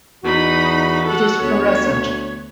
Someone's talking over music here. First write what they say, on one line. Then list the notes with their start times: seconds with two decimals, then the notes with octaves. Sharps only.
It is fluorescent.
0.24 E2 D#4 F#4 B5
1.05 A4 F#5
1.40 D2 B3 C#5